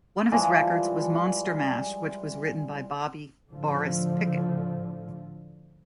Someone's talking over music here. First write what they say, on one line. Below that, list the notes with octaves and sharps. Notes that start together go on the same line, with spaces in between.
One of his records was "Monster Mash", which was written by Bobby "Boris" Pickett.
E3 F3 G3 G#3
A2 D3 F3